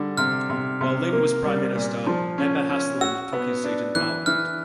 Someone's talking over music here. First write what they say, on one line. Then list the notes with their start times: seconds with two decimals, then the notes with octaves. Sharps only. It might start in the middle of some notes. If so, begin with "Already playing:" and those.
While Lyng was Prime Minister Ebba Haslund took his seat in parliament.
Already playing: D3 G3
0.17 C3 F6
0.50 C3
0.81 C3
1.12 A#3
1.44 G3
1.75 A#2
2.07 F3
2.38 C#4
2.69 C#4
3.01 F#4 E6
3.32 B3
3.64 D4
3.95 E3 F#6
4.26 E3 F6